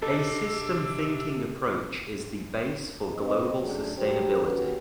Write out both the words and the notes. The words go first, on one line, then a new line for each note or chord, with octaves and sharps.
A system thinking approach is the base for global sustainability.
C3 D4 A4 D#5 D6 E6
F2 C4 B4 D#5
F#3 A3 C#4 D4 G#4
F#3 G3 D4 G4 C5
C#4 F#4 G4 B4